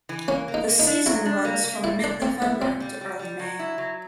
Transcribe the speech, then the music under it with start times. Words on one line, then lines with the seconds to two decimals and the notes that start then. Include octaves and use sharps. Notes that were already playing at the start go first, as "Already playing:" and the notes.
The season runs from mid-November to early May.
0.09 E3
0.28 A#3 C#4
0.48 A#3
0.54 D#4
0.68 A#3
0.80 D#4
0.86 D4
1.06 F#3 E4
1.26 D4
1.45 A#3
1.64 A#3
1.84 A#2 E4
2.03 A#2 D4
2.22 A#2 C4
2.42 B3 E4
2.62 A#2 C4
2.80 G3
3.01 G3
3.19 G3
3.39 F#3
3.59 E4
3.78 F#3